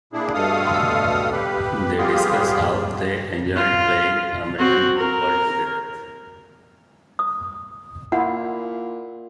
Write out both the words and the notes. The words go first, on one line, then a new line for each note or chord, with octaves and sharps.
They discuss how they enjoyed playing American football together.
A#2 D4 E4 G#4
G2 B2 A3 A4 F5 D#6
G4 B4
G3 B3 F4 G4 G#4
F4
C4 F#4
A#4
D#6
A#2 E4 F4 F#5